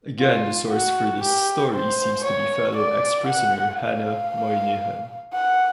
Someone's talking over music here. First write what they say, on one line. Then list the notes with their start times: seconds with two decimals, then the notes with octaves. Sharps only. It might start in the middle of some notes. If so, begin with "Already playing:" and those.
Again the source for this story seems to be fellow ex-prisoner Hanna Moynihan.
0.20 F4
0.72 F#4
1.23 G4
1.74 C5
2.25 C#5
2.77 D5
3.27 F#5
3.80 F5
5.33 F#5